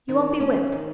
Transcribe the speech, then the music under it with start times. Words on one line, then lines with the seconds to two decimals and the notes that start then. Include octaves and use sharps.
You won't be whipped.
0.08 D#3
0.40 C#4
0.72 D#3